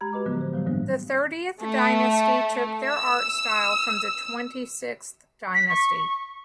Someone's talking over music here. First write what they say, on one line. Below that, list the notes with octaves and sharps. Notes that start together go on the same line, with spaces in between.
The Thirtieth Dynasty took their art style from the Twenty-Sixth Dynasty.
G#3 G4 A#5 B5 G#6
F#4 G4 B4 D#5 D6
A2 D3 F3 F#3 B3
C5
A2 D#3 E3 F#3 G3
G2 D#3 F#3 A#3 B3 D4
A3
E6
B6
C#6